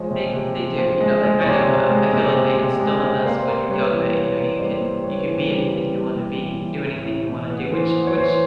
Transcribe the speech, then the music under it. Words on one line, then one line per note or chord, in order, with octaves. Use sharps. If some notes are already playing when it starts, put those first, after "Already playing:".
They they do, you know, they kind of, uh I feel, like, they instill in us when you're young that, you know, you can you can be anything you wanna be, you can do anything you wanna do, which which
Already playing: F3 G#3 C#5 D#5
C3
C3
F3
F3
G#3
G#3
C#5
C3 C5 D5
C3
G#3
C3
C3
C3
G#3
C3
A#3 C5 D5
A#3
G3 B4 C#5
E3
A#3 B4 C#5
A#3
G3 C5 D5
G3
G3 B4 C#5
E3
C5
G3
B4
A#3
G3
G3
E3
E3
A2
A2
E3
B3
E3 C5
B3
C#5
E3 C5